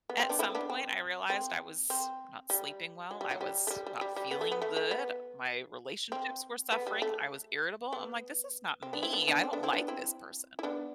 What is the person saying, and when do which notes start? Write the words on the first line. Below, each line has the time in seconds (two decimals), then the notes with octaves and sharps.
at some point I realized I was not sleeping well, I was not feeling good, My relationships were suffering. I was irritable. I'm like, "This is not me, I don't like this person."
0.10 B3
0.20 C4
0.29 B3 D4
0.39 C4 E4
0.55 B3 D4
0.70 C4
1.30 C4
1.90 C4
2.50 G3
3.11 F#3
3.21 G3
3.31 F#3
3.41 G3
3.67 A3
3.71 G3
3.87 G3
4.01 G3
4.16 G3
4.31 B3
4.41 A3
4.52 B3
4.62 A3
4.77 A3
4.91 B3
6.12 C4
6.72 B3
6.87 G3
7.02 A3
7.93 B3
8.83 C4
8.93 B3 D4
9.03 C4 E4
9.13 B3 D4
9.28 B3 D4
9.43 C4
9.53 B3 D4
9.63 C4 E4
9.73 B3 D4
9.88 C4 E4
10.59 E4
10.63 B3 D4